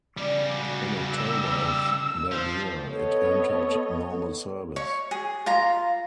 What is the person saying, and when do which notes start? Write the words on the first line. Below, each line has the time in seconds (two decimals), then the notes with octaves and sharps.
In October of that year it entered normal service.
0.18 C#3 G3 D5
0.56 F#4
1.10 E6
2.32 F3 C5
2.88 B3 A4 C#5 D#5
4.76 C#5 C#6
5.11 G#4
5.46 F4 A#5